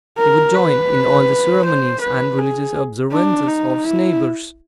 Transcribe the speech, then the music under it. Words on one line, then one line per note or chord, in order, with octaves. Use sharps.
He would join in all the ceremonies and religious observances of his neighbours.
A#4
B4
C5
B4
G#4
D4
D#4
E4